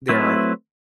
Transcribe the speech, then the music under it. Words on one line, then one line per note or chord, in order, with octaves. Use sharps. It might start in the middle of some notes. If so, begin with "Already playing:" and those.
there are
F#3 A3 C4 E4 B4